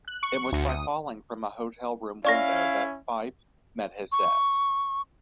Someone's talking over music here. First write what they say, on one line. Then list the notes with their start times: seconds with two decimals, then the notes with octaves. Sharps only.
It was by falling from a hotel room window that Fyffe met his death.
0.08 F#6
0.23 C#6
0.52 D2
0.69 D#6
2.25 C#4 E4 D5 F5 C#6 A#6
4.12 C#6